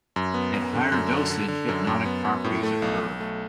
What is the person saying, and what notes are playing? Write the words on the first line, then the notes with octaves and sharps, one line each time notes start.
At higher dosage hypnotic properties occur.
F#2
B3
F#2
D3
F#2
D3
D3
D3
F#2
F#2
B3
F#2
A2
A3
B1
B1
A3